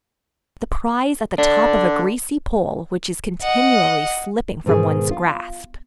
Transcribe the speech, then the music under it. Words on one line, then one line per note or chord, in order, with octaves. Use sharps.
The prize at the top of a greasy pole which is continually slipping from one's grasp.
D3 D4
D#5 F#5
G#2 B2 D#3 G#4
F4